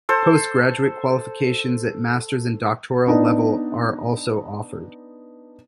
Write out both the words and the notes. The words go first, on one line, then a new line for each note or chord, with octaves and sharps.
Post-graduate qualifications at masters and doctoral level are also offered.
A4 C5
B3 D4 D#4